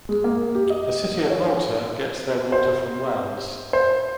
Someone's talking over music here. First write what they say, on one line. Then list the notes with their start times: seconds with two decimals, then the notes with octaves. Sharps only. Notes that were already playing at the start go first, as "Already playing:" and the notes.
The city of Malta gets their water from wells.
0.09 G#3
0.24 A#3
0.55 G4
0.70 D#5
1.30 C#5
2.52 C5
3.73 C5